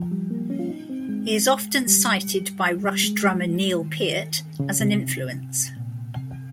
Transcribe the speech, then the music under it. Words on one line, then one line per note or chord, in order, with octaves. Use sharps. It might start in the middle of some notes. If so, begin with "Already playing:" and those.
He is often cited by Rush drummer Neil Peart as an influence.
Already playing: F3
G3
A#3
C#4
F4
D#4
C4
G#3
G3
G3
G#3
G3
D#3
C#3
C3
A#2
C3